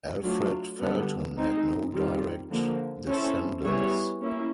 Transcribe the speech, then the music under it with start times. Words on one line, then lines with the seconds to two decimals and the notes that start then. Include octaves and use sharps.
Alfred Felton had no direct descendants.
0.23 F#3 A3 D4 F4
0.80 D3 G3 B3
1.36 G#3 C4 D#4
1.93 D#3 G3 C4 F4
2.50 D3 F3 A#3
3.06 C#4 E4 A4 C5
3.63 G3 B3 E4 G#4 C#5
4.21 A#3 C#4 E4